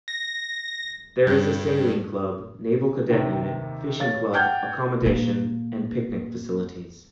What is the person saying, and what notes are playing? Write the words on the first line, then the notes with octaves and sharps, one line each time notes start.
There is a sailing club, naval cadet unit, fishing club, accommodation, and picnic facilities.
A#6
G2
D#2 C3 D#3
C#5 F5 A6
F#5 G5 A5 F6 G6 G#6
A#2 A#3